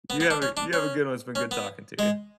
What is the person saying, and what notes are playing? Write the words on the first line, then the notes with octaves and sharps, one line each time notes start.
you have a you have a good one, it's been good talking to you.
B3
B3
D4
C#4
D4
C#4
C#4
B3
G#3